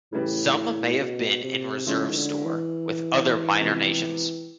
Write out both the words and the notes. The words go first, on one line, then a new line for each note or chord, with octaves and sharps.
Some may have been in reserve store with other minor nations.
A2 C#3 E3 G3
B2
C3
C#3 F3 G#3 C#4 E4
D#3
D3
E3
C3 F3 G#3 B3